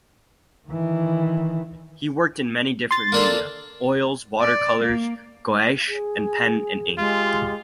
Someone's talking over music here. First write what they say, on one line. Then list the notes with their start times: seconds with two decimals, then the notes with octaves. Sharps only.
He worked in many different media: oils, watercolours, gouache and pen and ink.
0.68 D#3 E3
2.91 C6 A6
3.12 A#3 D4 A4
4.41 D5
4.79 A#3
5.87 G#4
6.98 G#3 F4 G4